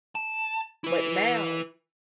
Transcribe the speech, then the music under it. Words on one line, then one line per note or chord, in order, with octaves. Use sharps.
But now,
A5
E4 B4